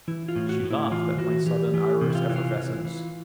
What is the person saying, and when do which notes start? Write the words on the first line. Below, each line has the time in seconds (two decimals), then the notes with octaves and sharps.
She laughed at my sudden Irish effervescence.
0.08 E3 E4
0.28 F4
0.36 A2
0.49 F#4
0.64 A2
0.71 E4
0.91 E3 F4
1.18 E3 F#4
1.46 E3 G4
1.74 E3 G4
2.01 C3
2.10 E4
2.15 F4
2.29 E3
2.36 F4
2.57 E3
2.85 E3